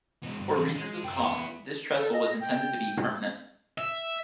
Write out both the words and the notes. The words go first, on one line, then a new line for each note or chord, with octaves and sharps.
For reasons of cost, this trestle was intended to be permanent.
E3 G#3
G2
E3 F#3
G#3
F#2 G5
B3 E4
A4
D#5
G5
E5